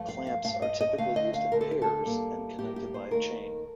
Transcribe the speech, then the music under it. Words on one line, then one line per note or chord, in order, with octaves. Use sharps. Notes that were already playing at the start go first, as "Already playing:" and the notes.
Clamps are typically used in pairs and connected by a chain.
Already playing: G2 F3 A3
F5
F5
G2 F3 A3 F5
D#5
D#5
D2 D3 A3 F5
D#5
F5
D2 D3 A3 A#4
A4
G4
A4
A2 G3 A#3
A2 G3 A#3 G4
G4
C5
D#2 D#3 A3 A#4